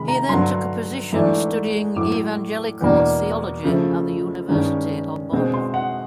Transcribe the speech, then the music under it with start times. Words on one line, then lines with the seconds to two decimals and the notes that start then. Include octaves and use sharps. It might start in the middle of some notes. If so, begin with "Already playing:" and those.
He then took a position studying Evangelical Theology at the University of Bonn.
Already playing: C3 D#3 G#3 B5
0.08 A#5
0.29 G2 D3 F#3 C6
1.13 G#2 E3 A3 D4
1.96 A2 F#3 A3 D6
2.81 E2 B2 G3 A#3 D4
3.64 C#3 F3 A3
4.49 G2 D#3 G#3 C#4
5.32 B2 G#3 C4
5.54 C6
5.74 F#5